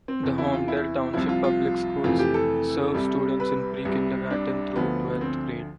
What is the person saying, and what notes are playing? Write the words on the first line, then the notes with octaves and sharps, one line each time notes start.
The Holmdel Township Public Schools serve students in pre-kindergarten through twelfth grade.
C4
E2 C3 E3
E4
F4
E4
C2 C3 F3 E4
F4
F4
F2 C3 E3 A3 F4
G4
A4
C2 C3 G3
B4
C2 C3 G3
D4
D2 D3 F3 B3
C4